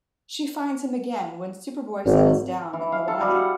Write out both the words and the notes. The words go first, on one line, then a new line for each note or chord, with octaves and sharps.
She finds him again when Superboy settles down in Hawaii.
G#1
E3
F5
A4
G3
F#5